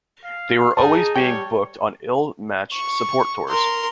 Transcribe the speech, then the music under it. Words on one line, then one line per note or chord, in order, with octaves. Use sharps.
They were always being booked on ill-matched support tours.
F5
D#4 G#4 A5
G3 C#5 G5
C#6
A#4 C6